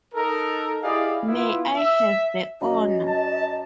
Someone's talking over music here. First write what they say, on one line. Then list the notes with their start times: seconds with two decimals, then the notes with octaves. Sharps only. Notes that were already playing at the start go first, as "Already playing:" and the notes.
May I have the honor?
0.15 D#4 A4 A#4
0.82 E4 G4 G#4 D5 D#5 F5
1.28 B3 E4 F4
1.76 E5
2.61 F#2 D#5
3.08 A5